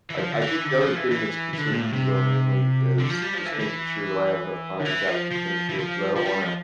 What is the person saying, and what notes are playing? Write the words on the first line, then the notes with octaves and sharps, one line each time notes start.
I I think the other thing that's a concern to me though, mainly is just making sure that I have enough time to actually finish it, 'cause I don't wanna
E3
F3
D3
E3
D3
F3
E3
D3
E3
E3
D3
A#2
A2
C3
D3
F3
G3
F3
E3
D3
E3
D3
E3
F3
F3
E3
F3
F3
G3
F3